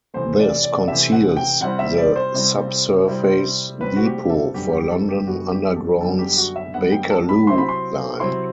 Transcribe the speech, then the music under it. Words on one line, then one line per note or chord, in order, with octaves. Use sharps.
This conceals the subsurface depot for London Underground's Bakerloo line.
C3 E3 A3 C5
D5
D5
C3 E3 A3 E5
F#5
G5
C3 G3 C4 E4 F#5
E5
D5
C5
C3 G3 C4 E4
C3 G3 C4 E4
C3 G3 C4 E4 B4
F#4
G4
A4
F#2 D3 G3 B3 G4
G4
A4
G4
F#2 D3 G3 B3 F#4
G4
A4
F#2 D3 G3 B3 A4
G4
F#4
E5
F#2 D3 G3 B3 F#5
G5
A5
B5
C3 F#3 C4 E4 C6
B5
C6
C3 F#3 C4 E4 C6